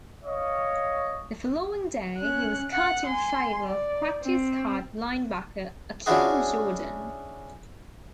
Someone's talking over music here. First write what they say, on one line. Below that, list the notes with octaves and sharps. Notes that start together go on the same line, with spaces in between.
The following day, he was cut in favor of practice squad linebacker Akeem Jordan.
C#5 D#5 F5
C#4 F#6
F#5 F#6
G#5 C6
D5
C4
C#4 D4 E4 F#4 G#4